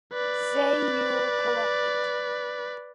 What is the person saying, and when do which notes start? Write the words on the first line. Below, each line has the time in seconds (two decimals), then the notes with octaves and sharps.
Say you’ll collect it!
0.13 B4 D5